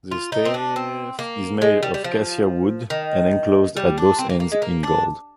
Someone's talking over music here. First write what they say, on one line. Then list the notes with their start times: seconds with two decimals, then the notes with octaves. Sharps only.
The staff is made of cassia wood and enclosed at both ends in gold.
0.11 F4
0.32 D#4
0.45 C4
0.54 D4
0.76 C4
1.19 A#3
1.62 G#3
1.83 G3
1.94 G3
2.04 F3
2.90 D#3
3.77 G3
3.98 D4
4.19 C4
4.29 A#3
4.40 A#3
4.52 G#3
4.62 A#3
4.83 D4